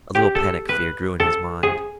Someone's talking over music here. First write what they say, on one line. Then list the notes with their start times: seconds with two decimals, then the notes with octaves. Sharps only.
A little panic-fear grew in his mind.
0.15 G4
0.35 A4
0.69 B4
1.20 A4
1.63 G#4